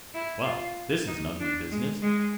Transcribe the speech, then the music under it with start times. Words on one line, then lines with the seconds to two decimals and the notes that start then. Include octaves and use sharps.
'Well! this is an ugly business!
0.14 E4
0.45 F4
1.08 D#4
1.40 D4
1.71 G#3
2.02 G#3